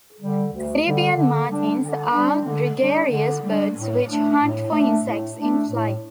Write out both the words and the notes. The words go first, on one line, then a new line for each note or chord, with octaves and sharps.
Caribbean martins are gregarious birds which hunt for insects in flight.
D3 G3
D2
D3 G3
D3
G3 D4
D3
G3 D4
D3
G3 D4
D3
G3 D4
A2
A3 D4
A2
A3 D4
A2
A3 D4
A2